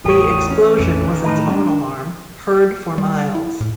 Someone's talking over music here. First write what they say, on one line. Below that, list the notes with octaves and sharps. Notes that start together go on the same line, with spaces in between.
The explosion was its own alarm, heard for miles.
A1 E2 A2 G4 C#5 D#6
E3 C#4
A#1 F2 A3
D#3
A2 D#4
G#2 C#4 D4
G3
E4
A2